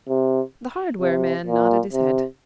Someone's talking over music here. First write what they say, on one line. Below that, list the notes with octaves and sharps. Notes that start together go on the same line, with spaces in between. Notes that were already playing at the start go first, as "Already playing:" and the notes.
The hardware man nodded his head.
C3
C3
A#2
C3